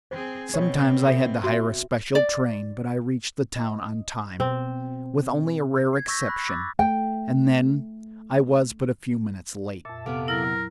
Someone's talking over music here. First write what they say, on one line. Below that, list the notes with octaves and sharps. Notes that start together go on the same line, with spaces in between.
Sometimes I had to hire a special train, but I reached the town on time, with only a rare exception, and then I was but a few minutes late.
C4 G#4 C5
B2 C4 B4 C#5
A4 E5
F#4 E5
D5
D#5
B2 C4
G#6 C7
C#6 E6 G6 A#6 B6
B5 F#6 A#6
D6 E6 A6
A3 G5
F2 A#2 E5 A5
C3 B3 A4 F5 D6
F#3 E4 A#4